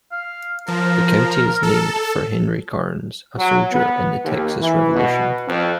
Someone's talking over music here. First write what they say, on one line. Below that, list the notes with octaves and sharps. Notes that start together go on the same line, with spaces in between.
The county is named for Henry Karnes, a soldier in the Texas Revolution.
F5
F3 A#4
A4
F#3
B3
D#2
E3
B2
F2